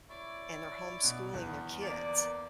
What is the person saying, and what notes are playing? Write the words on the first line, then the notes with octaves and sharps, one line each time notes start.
and they're homeschooling their kids.
E4 C#5 D5
B2
E2 B3
A#3 D5